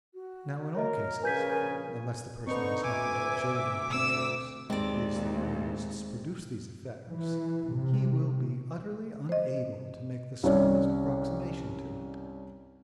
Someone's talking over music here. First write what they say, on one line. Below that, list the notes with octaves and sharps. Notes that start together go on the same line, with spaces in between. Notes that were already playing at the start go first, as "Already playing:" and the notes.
Now in all cases, unless the person has happened to observe in pictures how it is that artists produce these effects, he will be utterly unable to make the smallest approximation to it.
F#4
A#4 C#5 D#5
A#1 C#3 A#4 B4 G#5 G6 B6
D3 C4 D#4 B4 C#6
D2 E5 G#5 D6
B2 C4 E6
D#2 G#3 C4 D5
E3
C3
C5 D#5
C2 C#4 C#5 D5